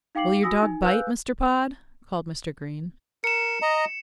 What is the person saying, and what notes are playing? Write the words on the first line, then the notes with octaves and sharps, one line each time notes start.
"Will your dog bite, Mr. Pod?" called Mr. Green.
D#4 F5 G5 D6 C7 F#7
F#4 G#5 D#6 E6 A#6
D#4 G#5
B4 F5 G#5 E6 F#6 G6
A#4 C#7 E7
D#5 A#5